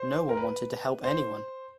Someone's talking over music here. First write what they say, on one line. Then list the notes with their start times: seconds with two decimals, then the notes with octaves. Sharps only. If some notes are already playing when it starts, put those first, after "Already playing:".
No one wanted to help anyone.
Already playing: C5
0.29 A#4
0.37 B4
1.03 C5